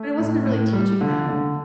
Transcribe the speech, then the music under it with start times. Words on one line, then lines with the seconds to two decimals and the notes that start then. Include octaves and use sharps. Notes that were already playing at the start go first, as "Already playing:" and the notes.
But it wasn't a really teaching them.
Already playing: A3
0.18 A2
0.46 A2
0.73 G3
1.01 D3
1.28 D3